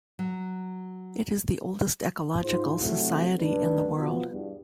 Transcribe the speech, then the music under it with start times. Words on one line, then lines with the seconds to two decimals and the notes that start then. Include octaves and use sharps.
It is the oldest ecological society in the world.
0.19 F#3
2.43 G#2 F4 C5
2.79 C3 F#3 A3 C4 E4 F#4
3.40 D2 G2 C#3 F#3 D4 B4
3.94 B2 F3 B3
4.30 E2 G2